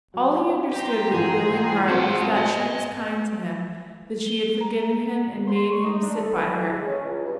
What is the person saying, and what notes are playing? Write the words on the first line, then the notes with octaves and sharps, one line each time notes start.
All he understood, with thrilling heart, was that she was kind to him, that she had forgiven him, and made him sit by her.
F#3
G4 G5 A#5 C6
G#2 E3 F3 G#4
C4 F4 F#4 B4 F#5 A5 C6
D#5 G#5
G7
A#5
C6
C#6
D#4
D4
A4
B4
E3
G#3
C#4
C#2
G2